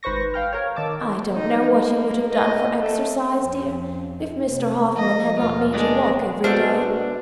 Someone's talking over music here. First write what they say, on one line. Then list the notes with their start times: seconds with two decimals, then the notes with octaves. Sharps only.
'I don't know what you would have done for exercise, dear, if Mr Hoffmann had not made you walk every day.
0.03 G#1 B4 C5 C#6 A#6
0.34 F5 G5 F6
0.53 A#4 C#5
0.76 D#3 A5 D6 E6
1.34 D#4
1.79 A#3
2.32 D#5
2.80 A3
3.41 F2 F3
4.47 C3 A#3
4.96 F3 D#5
5.39 D#2 B2 F4
5.73 G#3 A3 D4
6.44 B2 G#3 A3 D4 F#4 C5 F6